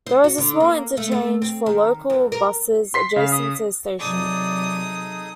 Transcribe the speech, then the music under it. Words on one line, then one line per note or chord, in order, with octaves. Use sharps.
There is a small interchange for local buses adjacent to the station.
C5
F#4
D3
A#3
A3
A3
C4
D#3
E2
A#4
C6 B6 C7
C#3 F5
D#6
C3 F#3 D#4 G#4 A4 D5 D#6